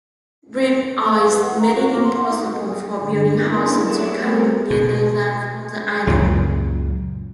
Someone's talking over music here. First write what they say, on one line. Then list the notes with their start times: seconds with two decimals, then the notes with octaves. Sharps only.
Drift ice made it impossible for Bellinghausen to come nearer than from the island.
1.02 A3
1.16 F5
1.29 B4
1.42 F#5
1.60 A#5
1.76 F#4
1.90 A#3
2.04 C6
2.17 F#5
2.29 D#4
2.41 F#4
2.56 G#4
2.99 G2 D3
3.31 A#3 B3 C#4 D4 E4 A#4
3.81 A4 C#5 D5 E5 F#5 A5
4.13 A3 B3 C4 F#4 A4 A#4
4.71 B2
6.07 C#2 F#2 A#2 C#3